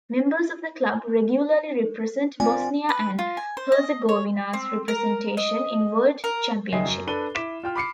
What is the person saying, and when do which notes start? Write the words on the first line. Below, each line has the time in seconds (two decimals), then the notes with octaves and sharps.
Members of the club regularly represent Bosnia and Herzegovina's representation in world championships.
2.40 C4 F4 D5 G#5
2.89 B4
3.19 F4
3.37 G#5
3.57 C5
3.72 D#5
4.09 C#5
4.53 C4
4.88 A#4
5.37 D#5
6.24 A#4
6.72 D#2 C#3 D#5 E5 G#5 C7
6.85 F#2
7.07 D4 A4 B4 D#7 G7
7.35 E4 D6 B6 E7
7.63 F4 G5 F6
7.76 B5 D6 C7 C#7